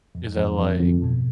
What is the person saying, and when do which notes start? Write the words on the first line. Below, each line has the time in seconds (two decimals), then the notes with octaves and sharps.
Is that, like,
0.15 F2
0.37 F2
0.58 F2
0.80 F2
1.02 B2